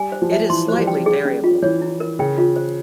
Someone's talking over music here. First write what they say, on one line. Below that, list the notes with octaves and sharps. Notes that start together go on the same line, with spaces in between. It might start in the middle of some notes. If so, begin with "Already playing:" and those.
It is slightly variable.
Already playing: G3 G#5
C5
F3
E5
E3 C6
C5
F3
G3
G5
G#4
C#4
F4
E3 C#5
E4
A#4
C#3 G5
F4
C5